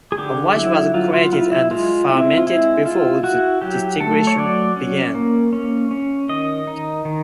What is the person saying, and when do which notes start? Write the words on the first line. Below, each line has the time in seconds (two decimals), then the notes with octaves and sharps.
A wash was created and fermented before the distillation began.
0.12 G#4
0.18 D3 G4
0.56 F#3 E4
0.94 F#3 F4
1.14 F4
1.33 E4 F4
1.52 E4
1.71 G#3 F4
2.09 C4 E4
2.37 F4
2.47 G#3 E4
2.85 E4 F4
3.23 E4 F#4
3.62 F#3 G4
4.00 A3 A4
4.27 C#5
4.38 F#3 D5
4.76 C#4
5.15 A#3
5.53 C#4
5.91 C#4
6.29 D#3 D#5
6.67 D#4
7.05 D#3